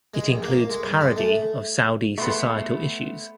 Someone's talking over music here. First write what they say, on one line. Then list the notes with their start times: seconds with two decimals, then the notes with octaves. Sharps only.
It includes parody of Saudi societal issues.
0.14 G#3
0.28 A#1
0.43 A#3
0.70 G#3
0.84 G2
1.01 G#3
1.16 A3
2.18 A3 B3 C6 C#6